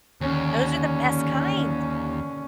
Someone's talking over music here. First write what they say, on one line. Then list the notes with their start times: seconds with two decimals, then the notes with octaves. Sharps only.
those are the best kind.
0.21 D#2 D3 C#4